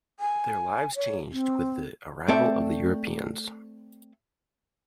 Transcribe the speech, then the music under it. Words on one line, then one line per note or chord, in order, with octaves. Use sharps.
Their lives changed with the arrival of the Europeans.
G#5
C#5
C4
A3 C4 A4 D5 E5